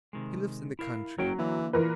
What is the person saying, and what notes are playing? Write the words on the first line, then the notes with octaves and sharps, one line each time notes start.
He lives in the country.
C3 D#3 G#3
E4 A#4 F5
F#1 F#3 A#4 C#5 G5
D3 E3 A#3
A#2 E3 A#4 B4